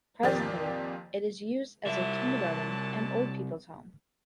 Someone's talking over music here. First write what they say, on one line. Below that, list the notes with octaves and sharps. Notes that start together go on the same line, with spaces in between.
Presently it is used as a kindergarten and old people's home.
F2 A#2 D#3 G4 D5 A6
C2 A#2 F#3 E5 A5